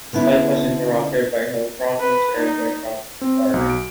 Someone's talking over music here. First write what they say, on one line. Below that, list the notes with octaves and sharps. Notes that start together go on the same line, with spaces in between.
His life was interrupted by health problems, and by travels to art exhibitions.
D3 B3 C#4 E4
B4
D#4
C4
B1
D7